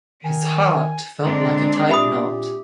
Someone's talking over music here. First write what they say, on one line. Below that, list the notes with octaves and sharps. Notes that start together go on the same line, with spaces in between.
His heart felt like a tight knot.
D#3 G#5
D3 G#3 C4 D4 A#5
A#2 G4 E5 B5 D#6